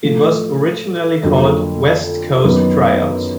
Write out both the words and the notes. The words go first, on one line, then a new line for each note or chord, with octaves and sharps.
It was originally called "West Coast Tryouts".
A2 F3 A3
F2 D3 F#3 A#3
F#2 D#3 F#3 B3